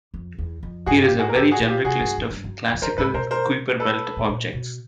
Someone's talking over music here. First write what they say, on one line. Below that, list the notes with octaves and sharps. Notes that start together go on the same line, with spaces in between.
Here is a very generic list of classical Kuiper belt objects.
F2
E2
F2
G2 F#4 G#4
F4 G4
G#2
F#4 G#4
A#4
G#2 G4 A4
F#4 G#4
A#2
F4 G4
C3 F#4 G#4
G2
F#2
G2
F#2
F2
F#2 A#4 C5
G#2 A4 B4
B2 A#4 C5
A#4 C5
A4 B4
A2
A#2
B2